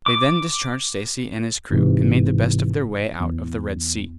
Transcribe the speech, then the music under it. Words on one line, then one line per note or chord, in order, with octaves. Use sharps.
They then discharged Stacy and his crew, and made the best of their way out of the Red Sea.
D6
G1 G#2 C3 E3
E2